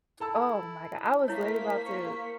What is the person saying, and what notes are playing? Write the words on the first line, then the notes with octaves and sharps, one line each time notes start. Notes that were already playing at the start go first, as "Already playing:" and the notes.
Oh my god, I was literally about to
E4 A4 A5 E6
A3 A#3 E4 C5 C#5 B6
C#6